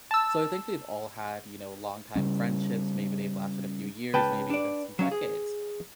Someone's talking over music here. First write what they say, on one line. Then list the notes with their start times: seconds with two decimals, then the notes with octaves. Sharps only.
So, I think we've all had, you know, longtime friendships, maybe they've lasted a few years, maybe even some decades.
0.11 A5 E6
2.15 C#3 G3 C#4
4.14 C#2 B4 G5 A5
4.50 D4 D5
4.99 F#3 C#4 F5
5.11 G#4